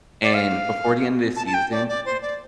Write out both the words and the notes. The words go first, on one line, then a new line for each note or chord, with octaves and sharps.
and before the end of the season,
D5
F5
A5
A5
G5
D5
D5
C5
D5